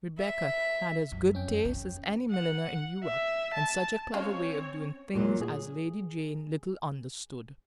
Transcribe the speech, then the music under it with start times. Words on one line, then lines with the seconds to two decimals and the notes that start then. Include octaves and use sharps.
Rebecca had as good taste as any milliner in Europe, and such a clever way of doing things as Lady Jane little understood.
0.19 E5
1.12 F#2
1.33 F2 C#4 G5
1.65 C#3
2.31 F#5
3.04 E5
3.54 A5
4.14 G#3 C4 C#4 F4 C#5
5.14 E2 A#2 F#3
5.41 G#4